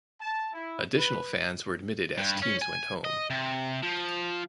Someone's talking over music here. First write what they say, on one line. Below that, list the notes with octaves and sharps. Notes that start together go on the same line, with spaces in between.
Additional fans were admitted as teams went home.
A5
E4
B4
G2
C#4
G#5
D#5
C3
F3